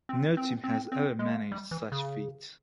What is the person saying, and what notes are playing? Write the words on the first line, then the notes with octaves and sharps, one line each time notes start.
No team has ever managed such feat.
C4
C4
C4
C4
G#3
A#3
G3
E3
C#3